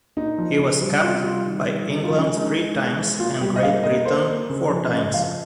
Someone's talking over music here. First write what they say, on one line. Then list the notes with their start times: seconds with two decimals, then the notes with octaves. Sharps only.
He was capped by England three times and Great Britain four times.
0.17 A#2 D#4
0.38 F3
0.59 C#3
0.81 G3
1.02 C3 F4
1.24 G3 F4
1.46 D#3
1.68 G3
1.89 C#3 D#4
2.04 F4
2.10 F3
2.18 C#4
2.32 G#3 D#4
2.54 G#3
2.76 G#3
2.98 G#3
3.19 A#2 F4
3.41 G3 G4
3.56 D#5
3.63 A#3 F5
3.84 A#3 D#5
4.05 A#3 C5
4.27 A#3
4.50 C#3
4.70 F3
4.92 C#3 D#5
5.14 F3 F5